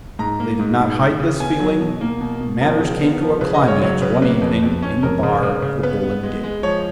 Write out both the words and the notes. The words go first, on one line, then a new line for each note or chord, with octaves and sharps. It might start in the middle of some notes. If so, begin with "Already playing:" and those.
They did not hide this feeling. Matters came to a climax one evening in the bar of the "Bull and Gate."
G#2 A#5
A#3
G#2
G#2
C#3
C#3
B3 G#5
F#3
B2
A#3
B2
B2
F3 A#4
C#3
B3
F3
C#3 B4
D#5
C#3
C#5
F#3 C#5
C#3 B4
A#3 B4
F2
F2
C#4
F2 A#4
C#3
C#3
C#3
B3 B4
B3
G#3
G#3
F3 C#5